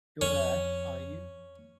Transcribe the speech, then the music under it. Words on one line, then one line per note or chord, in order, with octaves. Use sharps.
You're there, are you?
F2 C#4